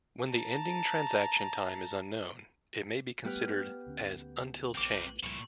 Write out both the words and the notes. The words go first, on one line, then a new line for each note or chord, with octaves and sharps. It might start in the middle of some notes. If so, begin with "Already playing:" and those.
When the ending transaction time is unknown, it may be considered as "Until Changed".
A5 A#5
G3 A3 B3 G4 B4 F6 F#6
D2 D3 C#4
D1 A#1 C4 A#4 D6 F#6
C#2 A#2 F3 G3 E4 C#6